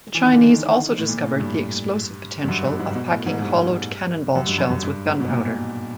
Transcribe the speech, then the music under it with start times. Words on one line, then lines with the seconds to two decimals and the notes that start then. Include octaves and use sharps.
The Chinese also discovered the explosive potential of packing hollowed cannonball shells with gunpowder.
0.15 E3
0.23 D#3
0.33 D3
0.42 D#3
0.99 A2
1.09 A#2
1.23 A2
1.40 G2
2.44 G2
2.48 F#2
2.64 G2
2.79 G#2
2.95 B2
3.11 A2
3.26 G#2
3.42 G2
4.36 F#2
4.47 G2
4.58 F#2
4.70 F#2
4.83 G2
5.06 G#2
5.20 B2
5.29 A#2